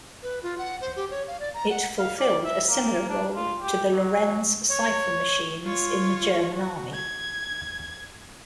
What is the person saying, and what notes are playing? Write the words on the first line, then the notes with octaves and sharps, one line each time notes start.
It fulfilled a similar role to the Lorenz cipher machines in the German Army.
B4
F4
F#5
C5
G4
C#5
F5
D5
A#5
F#5
F5
D5
E5
A#3
D4
F4
G4
F#3
C#5
F4 C#5
F#4
G#6